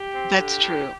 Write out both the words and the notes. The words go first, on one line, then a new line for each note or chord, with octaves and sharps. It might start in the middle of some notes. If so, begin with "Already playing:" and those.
That's true.
Already playing: G4
C4
D3
A2